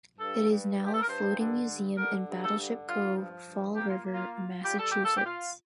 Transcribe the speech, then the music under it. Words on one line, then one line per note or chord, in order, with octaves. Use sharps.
It is now a floating museum in Battleship Cove, Fall River, Massachusetts.
G2 A4
G2
G2
G4
A4
A#4
G2 C5
D3
G2
D3 A#4
G2
A4
D3
G2 F4
F3
G2
A#3 G4
F4
A#3
F4
F4
G3 G4
A4
A#2 G4
A4
G4
F4